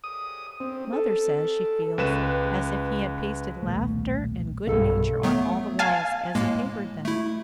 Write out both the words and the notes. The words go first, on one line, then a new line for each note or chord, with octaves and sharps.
Mother says she feels as if he had pasted laughter and good nature on all the walls as he papered them.
D#6
C4
A4
C#2 B4 E7
D#1 B1 A3
B1 G2 A4 F5
F#3 A3 B3
F5 G#5 A5
A2 G#3 A#3
A3 E4